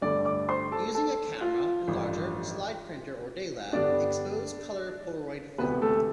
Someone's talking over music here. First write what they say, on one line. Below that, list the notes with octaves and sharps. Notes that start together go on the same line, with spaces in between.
Using a camera, enlarger, slide printer or Day Lab, expose colour Polaroid film.
G1 G2 D3 A3 D5 D6
D5 D6
C5 C6
A4 A5
A4 A5
F4 F5
A1 G2 F3
G2 D3 G3 B3 D4 D5
E1 D2 C3 B3 B4
A3 A4